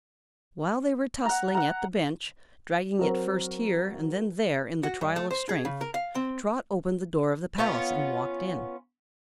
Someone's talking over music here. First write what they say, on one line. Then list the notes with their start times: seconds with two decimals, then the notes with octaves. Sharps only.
While they were tussling at the bench, dragging it first here and then there in the trial of strength, Trot opened the door of the palace and walked in.
1.25 F#5 A#5
1.55 F#5 A#5
2.99 F#3 C4 F#4 A#4
4.83 F#4
5.01 G2
5.16 A3
5.31 C5
5.49 G#4
5.65 C#3
5.81 A#4
5.94 F5
6.15 C4
7.58 B3 C#4 F4